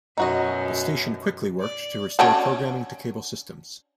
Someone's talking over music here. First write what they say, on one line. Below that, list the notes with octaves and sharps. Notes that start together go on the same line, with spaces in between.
The station quickly worked to restore programming to cable systems.
F#2 B2 D#4 F#4 D#5
D5
C#4 D4 F#4